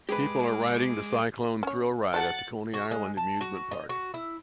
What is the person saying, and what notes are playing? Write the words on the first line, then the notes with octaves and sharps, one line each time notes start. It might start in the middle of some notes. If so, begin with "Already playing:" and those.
People are riding the Cyclone thrill ride at the Coney Island amusement park.
G#3 G4 G#4 B4 D6
C#4 C#5
F#3 A4 F#5 A6
F#4
G#3
A5
F#4
D#5
F#4
E4